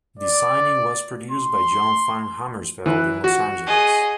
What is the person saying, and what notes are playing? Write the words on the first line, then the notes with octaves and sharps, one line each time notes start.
Designing was produced by John Van Hamersveld in Los Angeles.
D5
C6
E3 F#6
F#4
G#4 D#5